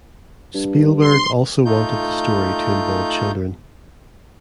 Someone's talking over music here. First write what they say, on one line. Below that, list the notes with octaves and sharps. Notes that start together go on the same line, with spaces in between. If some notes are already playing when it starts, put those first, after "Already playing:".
Spielberg also wanted the story to involve children.
G2
C6
A3 D#4 F4 G6